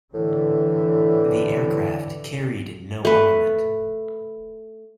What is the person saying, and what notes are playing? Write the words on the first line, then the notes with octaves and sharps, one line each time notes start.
The aircraft carried no armament.
A2 D3 E3
A3 B4